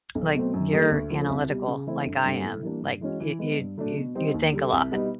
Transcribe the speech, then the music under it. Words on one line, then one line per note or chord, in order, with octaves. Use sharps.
like, you're analytical like I am. Like y you you you think a lot.
B1
B2 F#3 A3 C4
F#2
D3 G3 A#3 D#4
D2
D3 F3 A3
C2
B2 G3
C#3
E3 A3 C4 E4
G1
G2 D3 G3 C4
A2
E3 G3 A#3 D4
G2
E3 G#3 C#4 F#4
E3
G#3 B3
G2
D3 F#3 A3 D4
B2
G3 C4 D#4
D#2
D3 G3
C2
B2 G3 B3 D#4